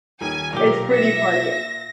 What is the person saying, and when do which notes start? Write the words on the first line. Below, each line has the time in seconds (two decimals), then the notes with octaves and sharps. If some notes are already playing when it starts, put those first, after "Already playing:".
It's pretty funny
0.21 D#1 D#3 G#5
0.53 B1 A#2 G4 A#4
0.93 E5 A#6